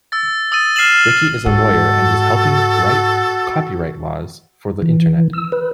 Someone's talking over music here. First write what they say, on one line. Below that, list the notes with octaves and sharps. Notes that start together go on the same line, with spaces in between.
Ricky is a lawyer and is helping write copyright laws for the internet.
E6 A6
D#6 E6 A6 D#7
F6 C7 D#7 E7 F#7
G#2 F#4 A4
E3
E6
B4